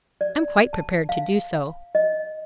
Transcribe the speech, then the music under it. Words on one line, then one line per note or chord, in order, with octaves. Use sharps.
I'm quite prepared to do so.
D5
A5
F5
D#5